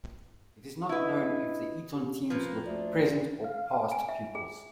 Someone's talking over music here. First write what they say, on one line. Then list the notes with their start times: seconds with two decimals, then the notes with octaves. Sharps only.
It is not known if the Eton teams were present or past pupils.
0.89 D4 E4 B4 D#5 D#6
1.94 B3 G4
2.30 F3 A#3 B4
2.66 D2 D4
3.44 F5
3.92 G#5
4.09 E5
4.35 G#4